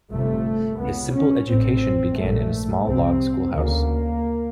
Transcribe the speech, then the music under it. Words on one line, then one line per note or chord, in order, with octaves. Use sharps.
His simple education began in a small log schoolhouse.
G1 F2 C3 A3
C#2 C#3 B3
C#4
A1 A2 C4
A#1 G#2 A3
C2 C3 C4
D2 C#3 A#3